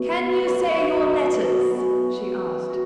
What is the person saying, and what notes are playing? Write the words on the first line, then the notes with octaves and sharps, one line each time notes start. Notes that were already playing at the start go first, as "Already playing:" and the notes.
"Can you say your letters?" she asked.
Already playing: F#2 B2 F#3 A3 F#4
B4
B4
F#2 F#3 A3 C#5
B4
C#5
B4
B2 F#3 A3 A4
F#4
F#4
B3
C#4
E4
B2 A3
F#4